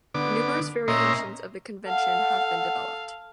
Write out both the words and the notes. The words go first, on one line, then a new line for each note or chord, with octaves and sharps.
Numerous variations of the convention have been developed.
D3 B3 D6
A#2 C#4 D#5 E5 A#5 C6
A4 F5 F#5